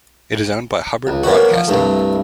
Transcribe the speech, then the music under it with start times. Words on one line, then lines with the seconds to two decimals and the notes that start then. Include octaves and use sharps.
It is owned by Hubbard Broadcasting.
1.07 C#2
1.23 A#3 B3 C#4 F#4
1.51 F3
1.68 C2 G2 A3